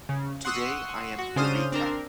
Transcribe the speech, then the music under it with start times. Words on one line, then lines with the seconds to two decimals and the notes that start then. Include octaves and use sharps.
Today I am Fahreta.
0.09 C#3
0.45 F#5 C6 C#6 D#6 E6 F#6
1.19 F#4
1.36 C#3 D4 C5 D#6 F6 D#7
1.72 C4 D4 A#4